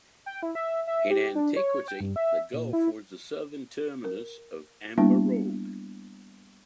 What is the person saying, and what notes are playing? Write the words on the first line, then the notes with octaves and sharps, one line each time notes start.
In antiquity the gulf was southern terminus of Amber Road.
G5
E4
E5
E5
G4
D4
C#5
G5
G2
E5
A#2
E4
A#4
G3 A#3 B3 D4 E4